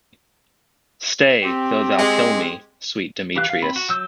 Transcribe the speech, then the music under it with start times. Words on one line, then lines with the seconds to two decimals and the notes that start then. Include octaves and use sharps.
Stay, though thou kill me, sweet Demetrius.
1.42 C4 G4
1.99 G#3
3.36 E3 G4 F5 F#6
3.50 F5
3.62 C4 B5
3.76 F#4
3.89 F#3 E6 G6